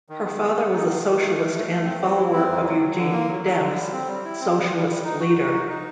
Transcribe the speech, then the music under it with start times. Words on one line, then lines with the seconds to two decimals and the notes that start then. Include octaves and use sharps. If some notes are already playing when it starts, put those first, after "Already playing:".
Her father was a socialist and follower of Eugene Debs, socialist leader.
0.09 D#3
0.25 B3
0.41 B3
0.57 B3
0.73 D#4
0.89 D#3
1.05 D#3
1.21 A3
1.36 A3
1.53 A3
1.68 A3
1.85 C4
2.01 C4
2.17 E4
2.33 C4
2.49 F2
2.65 F#3
2.81 F#3
2.96 D3
3.12 A#3
3.29 F#3
3.45 F#3
3.61 D3
3.77 G3
3.92 C4
4.08 G3
4.25 E4
4.40 C4
4.57 G3
4.73 G3
4.88 G3
5.04 D#4
5.20 F#4
5.36 F#4
5.53 D#4
5.68 D#4